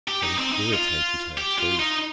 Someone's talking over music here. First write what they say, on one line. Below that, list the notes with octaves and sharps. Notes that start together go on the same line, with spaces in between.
But it irritated her too.
G4
D#4
C4
D#4
F4
G4
F4
D#4